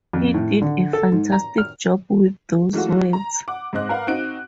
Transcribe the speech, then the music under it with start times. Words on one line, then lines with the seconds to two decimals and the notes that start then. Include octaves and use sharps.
He did a fantastic job with those words.
0.13 F2
0.34 A2
0.62 D3
0.93 A4
1.12 G#2
1.32 A#5
1.58 F6
2.73 E3 F#3 G#3 A3 F4 F#4
3.13 A#5
3.48 F#5 D6
3.73 G#2 C4 D#5 F#6
3.89 A#4 B4 F5 F#5
4.07 C4 D#4 F#4 F#6 D7 D#7